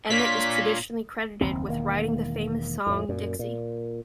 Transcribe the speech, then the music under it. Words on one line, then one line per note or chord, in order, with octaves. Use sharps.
Emmett is traditionally credited with writing the famous song Dixie.
A#2 D4 C#5 F5 B6
F#1 D#2 C4
E1 D#3 A#3
F2 A2
F#2 A#2
A#2